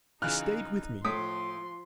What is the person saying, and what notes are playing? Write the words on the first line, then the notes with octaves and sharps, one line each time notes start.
She stayed with me.
C#3 E3 D#4 F4 F6 F#6
A2 F3 A3 C6 D#6 B6